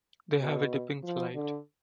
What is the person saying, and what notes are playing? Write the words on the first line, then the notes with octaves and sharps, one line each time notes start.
They have a dipping flight.
B2
F3
D3